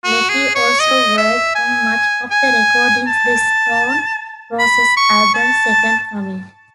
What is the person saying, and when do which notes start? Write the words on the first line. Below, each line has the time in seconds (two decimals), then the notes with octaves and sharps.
Leckie also worked on much of the recording the Stone Roses' album "Second Coming".
0.04 F#4
0.29 G#4
0.55 C#5
0.80 D#5
1.17 E5
1.55 G#5
2.31 G#5
3.07 A5
4.59 B5
4.97 C#6
5.34 A5